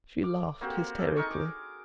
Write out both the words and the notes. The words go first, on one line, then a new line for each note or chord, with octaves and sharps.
She laughed hysterically.
D6
A#3 C4 F#4 G4
G#4 A4
D#4 A#4 C#6
D6